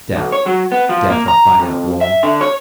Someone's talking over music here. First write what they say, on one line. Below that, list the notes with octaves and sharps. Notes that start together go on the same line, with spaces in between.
Death, death up by that wall.
B1
C#5
F#3
B3
F3
A#3
A#5
F2
E5
D3
C#5